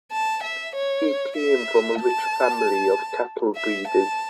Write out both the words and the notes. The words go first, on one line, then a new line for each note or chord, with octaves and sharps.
He came from a rich family of cattle breeders.
A5
E5
C#5
E5
A5
E5
A5